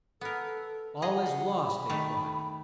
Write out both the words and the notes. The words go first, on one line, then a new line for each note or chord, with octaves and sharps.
"All is lost!" they cried.
B3 A4 A#4
G#4 D#5 F#5
B5
D#3 A3